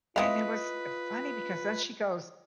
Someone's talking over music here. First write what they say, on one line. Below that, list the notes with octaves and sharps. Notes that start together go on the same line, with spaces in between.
And it was funny because then she goes,
C4 E4 F4 B4 D#5 F5 D#6 B6